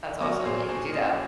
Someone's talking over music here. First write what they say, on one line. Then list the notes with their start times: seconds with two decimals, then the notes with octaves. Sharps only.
That's awesome that you could do that.
0.21 F#3 A#4 C#5
0.45 A#2 G#4 C5
0.69 A#2 G#4 C5
0.93 C#4 C5 D#5